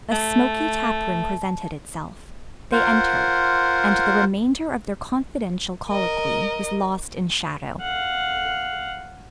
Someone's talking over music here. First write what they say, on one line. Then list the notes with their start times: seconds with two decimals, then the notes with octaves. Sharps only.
A smoky tap-room presented itself; they entered, and the remainder of their confidential colloquy was lost in shadow.
0.12 A3 A5
2.72 F4 A#4 C5 F#5
5.89 A#4 D#5
7.81 F5 F#5